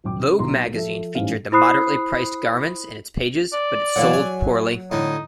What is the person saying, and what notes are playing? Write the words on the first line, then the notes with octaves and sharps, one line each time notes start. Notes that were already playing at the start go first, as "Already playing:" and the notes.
Vogue magazine featured the moderately priced garments in its pages, but it sold poorly.
D#1 F#3 G5 D6
C#3
B1 B2 A#5 C6
F3 A4 E5
A1 G#2 E3 G3 C#4 F5
E4 C5 B5 D#6 F#6 C7
D5
E3 F#3 A#3 F#5
G#5
A2 D3 D#4